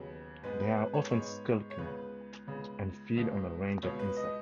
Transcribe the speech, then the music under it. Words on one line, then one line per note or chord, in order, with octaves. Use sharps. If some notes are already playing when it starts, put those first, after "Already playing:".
They are often skulking, and feed on a range of insects.
Already playing: D#2 C#3 F#3 B3
G#2 G#3 B3 B4
B4
B4
C#5
G#2 G#3 B3 C#5
C#5
C#2 C#3 B3 B4
C#2 C#3 B3
C#2 B2 B3
C#2 B2 B3 C#5
B4
D#5